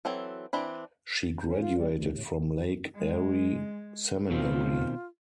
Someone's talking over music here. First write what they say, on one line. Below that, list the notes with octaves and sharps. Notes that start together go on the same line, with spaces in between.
She graduated from Lake Erie Seminary.
E3 F#3 C4 A4
E3 C4 D4 B5
C#4
F4
G3
D2
A2
G#3
B2 D#3 C4 F4